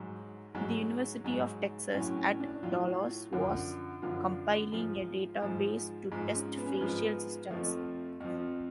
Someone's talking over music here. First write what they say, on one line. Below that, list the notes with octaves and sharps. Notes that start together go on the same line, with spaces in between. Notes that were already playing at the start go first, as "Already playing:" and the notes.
The University of Texas at Dallas was compiling a database to test facial systems.
Already playing: G#2 F#3
G#2 F#3
G#2 F#3
A2 F#3 C#4
C#4
D4
A2 F#3 F4
F#2 D3 F3
F#2 D3 F3 F4
G#2 F3
G#2 F3
G#2 F3
C#4
B3
C#4
B3
G#2 F3
F2 F3 A3
F2 F3